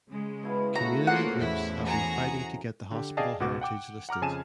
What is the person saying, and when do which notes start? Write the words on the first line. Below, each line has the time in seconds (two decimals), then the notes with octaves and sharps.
Community groups have been fighting to get the hospital heritage listed.
0.10 C#3 G#3
0.43 B2 E4 F5
0.76 A2 C#3 A3 F#4 A#5
1.07 F3 A#3 F4 F#4 F#5
1.39 E2 A2 E4
1.87 F#4 G#4 A#5
2.91 D3 G4
3.17 G#4 D5 D#5 F5 G5 A5
3.40 C#2 B2 F#4 D6
3.61 F#5 G5 D6
4.09 F#5 A#5 D6 F6
4.22 F2 C#3 G#5 A5 D#7 E7